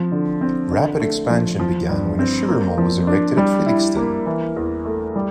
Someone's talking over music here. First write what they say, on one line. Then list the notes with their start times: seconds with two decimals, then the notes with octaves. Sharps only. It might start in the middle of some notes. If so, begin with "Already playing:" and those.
Rapid expansion began when a sugar mill was erected at Felixton.
Already playing: F3 C4
0.12 D3
0.41 C4
0.71 D3
1.00 A3
1.30 F3
1.59 F3
1.89 G2
2.19 C4
2.48 A#3
2.78 F3
3.07 D4
3.37 G3
3.66 E4
3.96 A#3
4.26 E3
4.56 E2
4.85 A3
5.16 G3